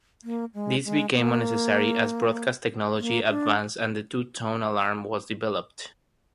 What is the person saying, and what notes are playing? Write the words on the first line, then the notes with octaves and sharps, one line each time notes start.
This became unnecessary as broadcast technology advanced and the two-tone alarm was developed.
A#3
G#3
G#3
A#3
A#3
D4